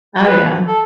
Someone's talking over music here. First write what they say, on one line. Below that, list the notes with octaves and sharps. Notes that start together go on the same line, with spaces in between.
Oh, yeah.
B4
A4